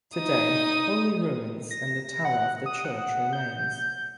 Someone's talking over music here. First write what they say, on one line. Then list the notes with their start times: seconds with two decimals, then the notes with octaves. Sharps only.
Today only ruins and the tower of the church remains.
0.17 D#4 D#6
1.71 A#6
2.25 F#5
2.66 D#6
2.85 F#5
3.33 G6